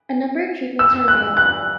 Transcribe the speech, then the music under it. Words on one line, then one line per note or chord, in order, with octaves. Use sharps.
A number of treatments are available.
E6
F#6
F#6